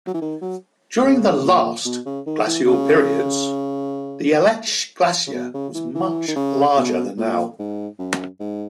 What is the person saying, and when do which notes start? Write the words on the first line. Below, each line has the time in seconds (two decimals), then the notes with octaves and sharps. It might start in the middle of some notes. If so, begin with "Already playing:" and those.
During the last glacial periods, the Aletsch Glacier was much larger than now.
0.07 F#3
0.14 E3
0.21 D#3
0.42 F#3
1.03 C#3
1.44 A#2
1.85 B2
2.06 C#3
2.26 D#3
2.46 E3
2.67 C#3
5.27 C#3
5.33 B2
5.54 C#3
5.74 E3
5.95 E3
6.28 D#3
6.36 C#3
6.77 B2
7.17 A#2
7.59 G#2
7.99 F#2
8.40 G#2